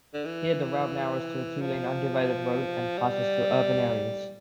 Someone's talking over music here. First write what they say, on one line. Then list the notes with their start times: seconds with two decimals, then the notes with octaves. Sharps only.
Here, the route narrows to a two-lane undivided road and passes through urban areas.
0.14 D3
0.25 E3
1.61 F3
2.97 G3